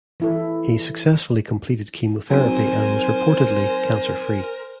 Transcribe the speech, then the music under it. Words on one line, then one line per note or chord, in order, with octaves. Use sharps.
He successfully completed chemotherapy and was reportedly cancer free.
E3 E4 A4
F#3 C4 D#4 A#4 C5 G#5